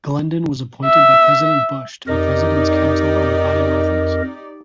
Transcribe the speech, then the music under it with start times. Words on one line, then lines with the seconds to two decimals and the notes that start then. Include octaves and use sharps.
Glendon was appointed by President Bush to the President's Council on Bioethics.
0.86 E5
2.07 F2 D#4 G4 A#4 D5 D#5